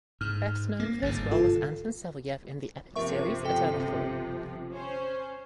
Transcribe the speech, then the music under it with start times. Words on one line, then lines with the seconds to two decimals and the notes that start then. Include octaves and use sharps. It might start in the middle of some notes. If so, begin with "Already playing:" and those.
Best known for his role as Anton Savelyev in the epic series Eternal Call.
0.21 G#2 F6
0.80 A#3
1.02 G1 G#2 C3 A6
1.31 F4 A4
2.96 G1 C3 F3 A#4 E5 C#6
3.45 A4 G5
4.71 C#4 C5